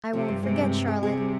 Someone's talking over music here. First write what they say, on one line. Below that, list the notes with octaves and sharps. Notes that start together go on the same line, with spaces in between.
'I won't forget, Charlotte.'
C3 F3
G2
C3 G#3
G2
G3
G#4
C3 G#4
G3